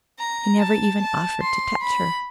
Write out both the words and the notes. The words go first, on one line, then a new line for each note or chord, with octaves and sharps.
He never even offered to touch her.
A#5
A5
A5
C6
B5